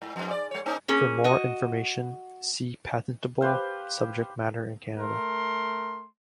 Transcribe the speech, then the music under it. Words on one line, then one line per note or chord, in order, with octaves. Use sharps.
For more information see patentable subject matter in Canada.
G#2
F2 G#2
D5
G#3 C#5
A#3 C#4 D#4
A#3 C#4 G#4
F#4 D#5
G4 B4 C5 F5
A3 A#4 C6